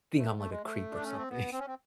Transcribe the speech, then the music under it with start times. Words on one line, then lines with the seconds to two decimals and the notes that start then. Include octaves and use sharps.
think I'm like a creep or something.
0.15 A3
0.38 A3
0.50 G#3
0.63 A3
0.92 D4
1.04 C#4
1.17 C4
1.30 B3
1.52 C4
1.59 C#4
1.67 C4